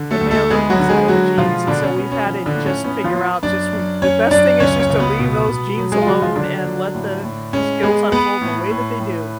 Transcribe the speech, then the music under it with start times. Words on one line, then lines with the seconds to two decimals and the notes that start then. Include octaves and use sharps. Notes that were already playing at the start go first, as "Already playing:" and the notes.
the male cooking side of the genes, and so we've had to just figure out, just we the best thing is just to leave those genes alone and let the skills unfold in the way that they do.
Already playing: D3
0.11 A3 A4
0.21 D2
0.31 A3 A4
0.50 G#3 B3 G#4
0.70 F#3 F#4
0.80 D3
0.89 G#3 G#4
1.08 F#3 G#3 F#4
1.38 B2 F3 F4
1.67 B2 D3 D4
1.83 C#4
1.96 B3 C#4
2.12 C#4
2.26 F3 C#4
2.45 D3 D4
2.55 A2
2.66 C#4
2.84 B3 C#4
3.04 F3 F4
3.13 B3
3.43 F#2 D4 D5
3.73 F#2
4.02 F#2 C#4 C#5
4.31 F#2 D4 D5
4.60 C#2 C#4 C#5
4.79 C#4 C#5
4.90 C#2
5.00 B3 B4
5.19 B2
5.48 B2
5.77 F#3
5.92 G#3 G#4
6.01 F4
6.07 C#3 F#3 F#4
6.22 F3 F4
6.36 D3 F#3 D4
6.66 F#3
6.94 A2
7.24 A2
7.53 G#3 C#4
7.83 G#3 B3 G#4
8.12 B3 B4
8.41 A2
8.71 A2
9.00 A2